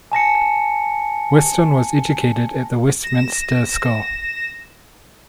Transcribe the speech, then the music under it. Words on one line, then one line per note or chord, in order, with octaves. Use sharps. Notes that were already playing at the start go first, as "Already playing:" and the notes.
Weston was educated at the Westminster School.
G#5 A5 A#6 C#7
A#6 E7